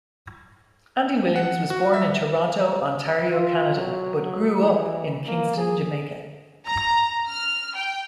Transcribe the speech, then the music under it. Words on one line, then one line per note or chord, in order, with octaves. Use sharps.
Andy Williams was born in Toronto, Ontario, Canada, but grew up in Kingston, Jamaica.
F#5
F#4
E5
F4
F#3
F#3
E3
A#3
G#4
A#5
F6
G5